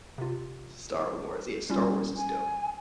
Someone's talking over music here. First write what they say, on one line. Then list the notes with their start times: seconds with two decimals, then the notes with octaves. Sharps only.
Star Wars, yeah Star Wars is dope.
0.18 C3 F4
1.70 G3 C#4 F4
2.16 G#5